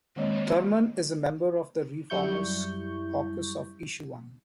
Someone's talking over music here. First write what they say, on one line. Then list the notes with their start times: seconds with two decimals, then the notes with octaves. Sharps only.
Thurman is a member of the ReFormers Caucus of Issue One.
0.16 D#3 G#3 A#3 C4 C#5 D#5
2.10 F#2 G3 E4 C#6 G6